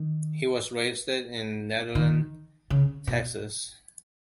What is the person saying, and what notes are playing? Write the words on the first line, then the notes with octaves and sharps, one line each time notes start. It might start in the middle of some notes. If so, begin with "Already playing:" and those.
He was raised in Nederland, Texas.
Already playing: D#3
D#3
C#3
B2